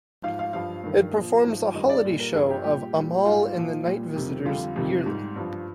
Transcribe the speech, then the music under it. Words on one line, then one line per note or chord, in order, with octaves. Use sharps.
It performs a holiday show of "Amahl and the Night Visitors" yearly.
G#2 F3 F5
F5
G2 F3 F5
G2 D#3 G3
A#2 F3
G#2 F3
G2 D#3 G3 D#5
D5
A#2 G3
A#4
G2 F3 G#4
G4
A#2 G3 G4
A#2 G3
G#2 G3 F4
A#2 F3
A#2 G3
F2 C3 D#3 G3
F2 D3 G3 F4
F2 C3 D#3 G3
G#2 G3
G2 F3